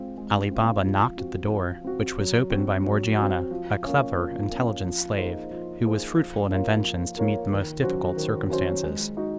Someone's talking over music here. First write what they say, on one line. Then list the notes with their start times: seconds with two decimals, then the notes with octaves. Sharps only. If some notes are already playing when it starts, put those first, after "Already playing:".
Ali Baba knocked at the door, which was opened by Morgiana, a clever, intelligent slave, who was fruitful in inventions to meet the most difficult circumstances.
Already playing: G#3 C4 F4
0.18 G#3
0.51 C4 F4
0.85 F3
1.18 C4 F#4
1.51 F3
1.84 C4 F#4
2.18 F#3
2.50 C4 F#4
2.84 F#3
3.17 C4 F#4
3.51 F3
3.84 A#3 C#4
4.17 F3
4.50 A#3 C#4
4.84 F3
5.17 A#3 D#4 G#4 C5
5.51 F3
5.84 A#3 D#4 G#4 C5
6.18 F3
6.50 A#3 F4 A#4 C#5
6.83 F3
7.17 A#3 F4 A#4 C#5
7.50 D#3
7.83 F#3 C#4 F#4 C5
8.17 D#3
8.50 F#3 C#4 F#4 C5
8.83 G#3
9.17 D#4 F#4